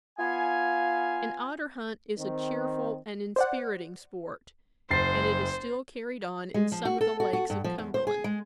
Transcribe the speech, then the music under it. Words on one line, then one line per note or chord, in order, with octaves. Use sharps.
An otter-hunt is a cheerful and inspiriting sport, and it is still carried on in some of the lakes of Cumberland.
B3 F4 F5 G#5
D#3 C4
C5 D5 F#5
F#1 C5 A6 C7
G#3
F3
F#4
A4
F#4
F#4
G2
F3
E2
C5
G#4
G#3